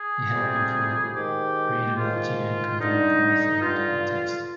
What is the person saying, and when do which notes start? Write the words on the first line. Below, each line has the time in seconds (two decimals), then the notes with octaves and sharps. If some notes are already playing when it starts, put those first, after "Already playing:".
They help improve readability and convey importance in written text.
Already playing: G#4
0.32 F2 C3 G3
1.13 G#2 D#3 G#3 G4
1.97 G#2 D#3 G#3 F4
2.79 G2 D3 G3 D#4
3.61 G2 D3 G3 F4